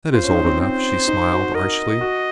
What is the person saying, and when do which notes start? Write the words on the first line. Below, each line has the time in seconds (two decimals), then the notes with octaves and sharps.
"That is old enough," she smiled, archly.
0.14 F4 C5
0.23 C#4
0.30 D#4
0.45 C4
0.61 C4 C5
1.08 D#4
1.32 F#4
1.54 A#4 D#5
2.01 F#4